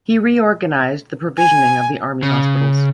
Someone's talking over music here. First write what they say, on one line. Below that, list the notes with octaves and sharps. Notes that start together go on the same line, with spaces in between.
He reorganized the provisioning of the army hospitals.
G#5
C#3